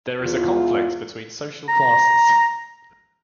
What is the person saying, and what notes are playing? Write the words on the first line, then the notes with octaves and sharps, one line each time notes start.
There is a conflict between social classes.
E2 F4
A#5